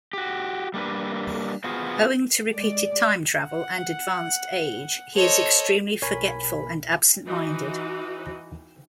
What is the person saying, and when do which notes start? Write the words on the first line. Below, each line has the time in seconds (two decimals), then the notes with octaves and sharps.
Owing to repeated time travel and advanced age, he is extremely forgetful and absent-minded.
0.13 F#4 G4
0.74 G3 A#3 D4 B4
1.64 B3 F4 F#4 G#4 C5
2.55 G#3 D5
3.46 F#5
5.15 A4 C5 C#5 D#5
6.02 B1 A#4 C#5 G#5 B5
7.25 E3 D#4 F#4